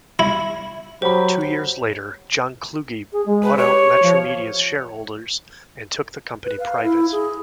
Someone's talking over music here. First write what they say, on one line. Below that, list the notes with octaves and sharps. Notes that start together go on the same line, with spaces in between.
Two years later, John Kluge bought out Metromedia's shareholders and took the company private.
E4
F#3 G4 C5 B5
G#4
G#3
B4
G4 C#5
F3
B4
F5
E4
G#4